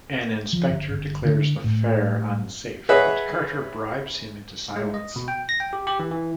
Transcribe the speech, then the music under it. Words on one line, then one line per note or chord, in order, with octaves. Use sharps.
An inspector declares the fair unsafe but Carter bribes him into silence.
F3
G1
G1
D3
A2
G#4 B4 C#5 D#5 E5 F#5
G#3
D#5
B2
G5
A#6
G5
G4
G4
E3
E3